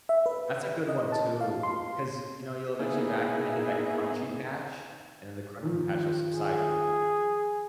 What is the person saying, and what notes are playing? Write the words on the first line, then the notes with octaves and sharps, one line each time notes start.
That's a good one too, 'cause, you know, you'll eventually vacuum and hit that crunchy patch, and then the crunchy patch will subside you.
E5
B4
D#5
A5
F5
C6
A#3 B3 D#4 E4 G#4
D#3 F3
G#4